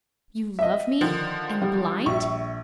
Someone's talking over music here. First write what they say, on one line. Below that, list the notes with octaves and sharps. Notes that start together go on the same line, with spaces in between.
'You love me, and blind?'
D#5 E5
D3 D#3 F3
G3
A#1 E5 C#6